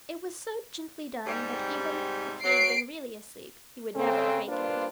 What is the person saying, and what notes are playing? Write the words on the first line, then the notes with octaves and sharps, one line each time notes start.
It was so gently done that even if he had been really asleep, he would never have wakened.
G#2 C3 G3
F#3 C7 D7
C#3 C4 A4
G2 A#3 D4 F4 B4 C5